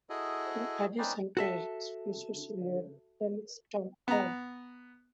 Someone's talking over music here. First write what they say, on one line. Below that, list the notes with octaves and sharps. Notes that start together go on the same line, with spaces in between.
In addition, "Terrorist" features Slayer vocalist Tom Araya.
E4 F#4 G#4 A4 D#5
C4 C#4 D#4 B4 C5 D5
F#4 A4 E5
B3 A#5